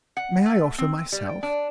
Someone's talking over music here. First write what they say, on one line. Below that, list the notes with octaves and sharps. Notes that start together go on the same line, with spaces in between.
"May I offer myself?"
F#5
A3
C4
G3
G5
D4